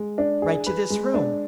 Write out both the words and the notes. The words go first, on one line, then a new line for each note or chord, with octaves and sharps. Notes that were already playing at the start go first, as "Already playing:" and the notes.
"Right to this room!"
Already playing: G#3
D4
G#4
B4
G#3
D4